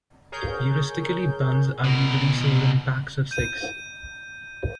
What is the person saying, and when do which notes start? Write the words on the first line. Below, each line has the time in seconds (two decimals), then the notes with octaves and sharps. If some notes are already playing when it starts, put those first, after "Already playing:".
Heuristically buns are usually sold in packs of six.
0.32 G#4 A#4 C#5 G6
1.85 B2 A#4
3.31 G6 D#7